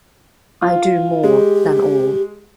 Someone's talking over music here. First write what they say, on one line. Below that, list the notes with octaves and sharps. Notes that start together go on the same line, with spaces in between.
I do more than all.
F4
G#3 G4